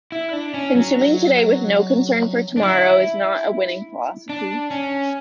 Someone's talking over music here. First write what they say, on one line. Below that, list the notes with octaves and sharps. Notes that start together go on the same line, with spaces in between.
Consuming today with no concern for tomorrow is not a winning philosophy.
E4
D4
C#4
F#3
D4
E4
D4
C#4